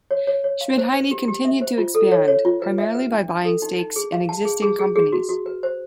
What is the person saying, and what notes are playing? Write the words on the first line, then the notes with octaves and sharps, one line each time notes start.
Schmidheiny continued to expand, primarily by buying stakes in existing companies.
C#5
C#5
C#5
F5
C5
C5
G4
G4
E5
C5
F4
A4
C#5
C#5
F4
B4
E5
B4
D4
D4
A4
D#4
D#4
G#4
F5
A5
G#4
G#4
G#4
G#4
F#4
F#4
B4
C5